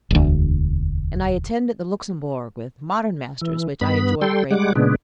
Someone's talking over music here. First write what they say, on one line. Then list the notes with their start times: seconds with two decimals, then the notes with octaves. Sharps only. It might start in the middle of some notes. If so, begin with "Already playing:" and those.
And I attended the Luxembourg, with modern masters, which I enjoyed greatly.
0.11 E1 D2
3.41 E3
3.81 G2 B3 B5
4.21 G3 A4 G5 C6
4.50 G3 G#3 F#5 D6
4.75 A#2 C#3 G#3 B3 D4